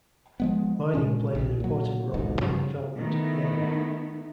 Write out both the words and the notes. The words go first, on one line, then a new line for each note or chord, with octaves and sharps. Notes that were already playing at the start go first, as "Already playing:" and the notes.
Mining played an important role in the development of the area.
F3 G#3 B3
A#2 G#3 C#4 D4
A#1
A#2 F#3
D1 A1 D2 G#2
G2 C#3 F3 F#3
D#3 A3 B3 D#4 E4